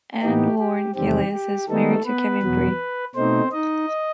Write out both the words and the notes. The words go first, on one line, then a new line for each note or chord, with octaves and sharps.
Anne Lorne Gillies is married to Kevin Bree.
A2 E3 B3 D#4 G4
G4
E2 C3 D#3 G3 C4 G4
G4
D#3 G3 A3 B3 D#4 A4
B3 B4
E2 B2 F#3 B3
B2 A3 C4 D#4 C5
D#4 D#5